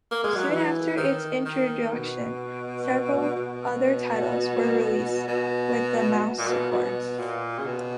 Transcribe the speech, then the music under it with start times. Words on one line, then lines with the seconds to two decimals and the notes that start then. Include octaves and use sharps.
Soon after its introduction, several other titles were released with the Mouse support.
0.11 A#3
0.24 G#3
0.36 F#3
0.49 E3
0.97 D#3
1.45 D#3
1.93 B2
3.36 B2
5.28 B2
6.39 A#2
6.47 B2
6.72 B2
7.19 A#2
7.58 C#3
7.66 B2